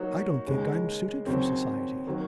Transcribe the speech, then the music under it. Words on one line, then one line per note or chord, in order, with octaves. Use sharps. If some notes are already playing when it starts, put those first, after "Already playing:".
'I don't think I'm suited for society.'
Already playing: F#3 A#3 D#4 F#4 C#5
D#2 C#3 G#3
D#2 C#3 F#3 C4
D#3 F#3 A#3